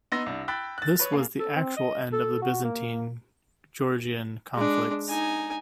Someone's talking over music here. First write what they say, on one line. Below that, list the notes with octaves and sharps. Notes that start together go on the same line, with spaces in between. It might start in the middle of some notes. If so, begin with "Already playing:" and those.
This was the actual end of the Byzantine-Georgian conflicts.
B3 D#4 C6 E6 A#6
C2 D4
G5 B5 E6 F#6 A6 B6
F#6 A6
B4 C#5
A#3 G#4 F5
A4
C4
D#5
A4
F#4
A#3
G#3 D4
D#4 G#5